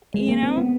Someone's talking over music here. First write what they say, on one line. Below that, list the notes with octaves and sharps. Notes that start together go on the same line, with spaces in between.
You know?
G#3
A#3
C4
B3